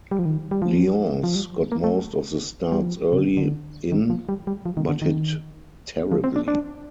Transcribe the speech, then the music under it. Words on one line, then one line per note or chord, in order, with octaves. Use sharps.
Lyons got most of the starts early in but hit terribly.
G3
F3
D#3
G3
F3
F3
G3
A#3
A3
G3
F3
C3
D3
D3
D#3
F3
G3
G3
F3
D#3
D3
D#3
F3
C4
D4
D4